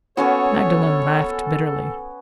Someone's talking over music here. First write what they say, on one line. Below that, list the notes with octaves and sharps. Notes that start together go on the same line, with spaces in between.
Magdalen laughed, bitterly.
A#3 B3 C#4 F#4 A4 C#5 G#5